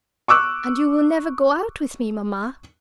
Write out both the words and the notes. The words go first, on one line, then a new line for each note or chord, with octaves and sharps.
"And you will never go out with me, mamma?"
C#6 D6 E6 F#6